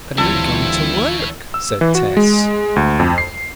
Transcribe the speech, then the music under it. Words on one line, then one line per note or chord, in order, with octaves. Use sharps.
"But I am going to work!" said Tess.
D2 E3 G3 C4 E4 F4 A4 C#5
E6
E3
F#4
G#3
D2
F2
C7